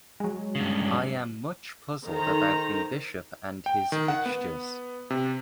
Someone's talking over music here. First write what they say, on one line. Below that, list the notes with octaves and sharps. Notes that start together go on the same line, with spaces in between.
I am much puzzled about the bishop and his fixtures.
F#3 G#3
G2 C#3
D#3 A4 C5 A#5
G5
D#3
F#5
B3
C3